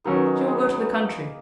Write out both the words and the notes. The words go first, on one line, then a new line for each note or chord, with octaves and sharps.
"She will go to the country."
D#3 F#3 B3 C#4
D#4
G#4
B3
A#3